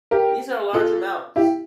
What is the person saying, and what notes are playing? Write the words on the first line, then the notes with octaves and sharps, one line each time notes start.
These are large amounts.
G4 A#4
F4 A4
E4 G4